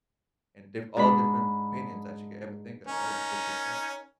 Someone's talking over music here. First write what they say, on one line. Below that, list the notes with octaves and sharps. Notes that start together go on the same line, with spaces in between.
and diff all different opinions that you could ever think of, all different perspectives.
G#2 D4 B5
C#4 D#4 A#4